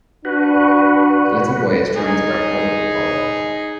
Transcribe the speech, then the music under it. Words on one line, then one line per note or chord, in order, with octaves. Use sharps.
A little boy is trying to grab hold of a pole.
D4 F#4 B4
D#4 G#4